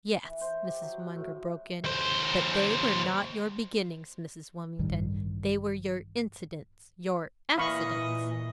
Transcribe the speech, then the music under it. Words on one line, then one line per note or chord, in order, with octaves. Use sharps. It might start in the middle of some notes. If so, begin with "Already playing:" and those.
"Yes," Mrs. Munger broke in; "but they were not your beginnings, Mrs. Wilmington; they were your incidents--your accidents."
E3
C5
G4
F#3
F#5
A2
D#2 C5
A1 G2 D#3
A#2 E3 D#5 F5 B5 C#6